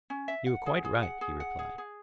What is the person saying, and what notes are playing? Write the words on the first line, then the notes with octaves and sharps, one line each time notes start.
You are quite right, he replied.
C#4
E5
F#5
G#4
G#4
F#5
G#4
F#5
G#4
G#4